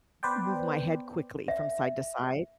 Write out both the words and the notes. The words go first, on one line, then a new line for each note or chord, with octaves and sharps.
move my head quickly from side-to-side,
B3 B4 C5 D5 G5
E5